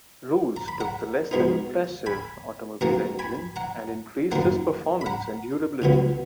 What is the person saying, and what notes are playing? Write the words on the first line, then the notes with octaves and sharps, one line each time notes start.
Roos took the "less than impressive" automobile engine and increased its performance and durability.
A#5
B5
F#5 A#5
B2 G#3 B3 D#4
G#5 B5
B2 F#3 A#3 C#4 F#5 A#5
G#5 B5
F#5 A#5
F#2 D#3 A#3 F#5 A#5
B5
F#5 A#5
C#2 C#3 F#3 B3